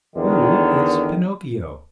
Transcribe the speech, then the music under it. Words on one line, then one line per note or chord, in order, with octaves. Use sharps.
"Who is Pinocchio?"
E2 A2 D3 D#3